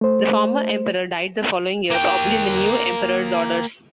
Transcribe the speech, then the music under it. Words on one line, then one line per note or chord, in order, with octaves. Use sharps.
The former emperor died the following year, probably on the new emperor's orders.
A3 C5
A#3 G5